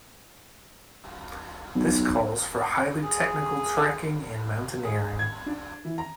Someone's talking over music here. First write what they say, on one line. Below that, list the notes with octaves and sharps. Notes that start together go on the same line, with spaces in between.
This calls for highly technical trekking and mountaineering.
B1
G#4
G#4
G#6
D4
E3
A#5